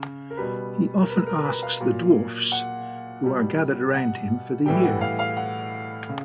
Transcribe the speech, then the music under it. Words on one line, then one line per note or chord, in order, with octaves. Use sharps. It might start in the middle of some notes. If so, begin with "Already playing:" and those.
He often asks the dwarfs who are gathered around him for the year.
Already playing: C#3
A#4
B2 G3 B4
A#4
B4
A#4
A#4
B4
F5
A#2 F#3
F#5
B2 G3
F#5
A2 E3 G3 G5
F#5
F5
F5
F#5
C#3